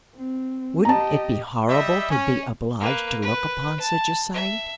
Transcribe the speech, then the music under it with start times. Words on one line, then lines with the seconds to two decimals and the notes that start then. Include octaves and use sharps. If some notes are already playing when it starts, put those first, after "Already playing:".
Wouldn't it be horrible to be obliged to look upon such a sight?
0.16 C4
0.85 G4 D#5 A5 A#5
1.68 G3 D#5 E5
2.10 C#4
2.80 A#3 B4
3.22 B4
3.80 A5
4.34 E5